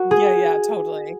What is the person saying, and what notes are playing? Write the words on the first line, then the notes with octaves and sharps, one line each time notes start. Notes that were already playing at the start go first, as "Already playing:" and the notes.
Yeah, yeah, totally.
Already playing: F#4 A#4
G#4